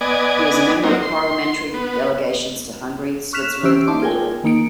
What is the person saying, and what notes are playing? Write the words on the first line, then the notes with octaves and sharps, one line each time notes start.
He was a member of parliamentary delegations to Hungary, Switzerland and Italy.
B3 D5 D#5 G#5
F#3 A#3 C4 D#4
C6
B3
C#6 F6 F#6 B6 E7 F7
E3 C#4 G4 C5 E6 D7
D#4 A5 C6 D6
F4 G#4 A#4 G5 G#5
G#5
D#3 A#3 D#4 C#7 D7